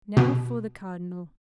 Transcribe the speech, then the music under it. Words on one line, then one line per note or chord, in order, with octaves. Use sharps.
Now for the Cardinal.
B2